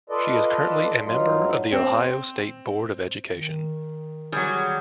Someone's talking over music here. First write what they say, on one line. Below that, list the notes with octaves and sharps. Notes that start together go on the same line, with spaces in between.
She is currently a member of the Ohio State Board of Education.
F4 A4 B4 D5 D#5
G2 F#3 D#4 F4
C4
D#3
F#3 G3 G#4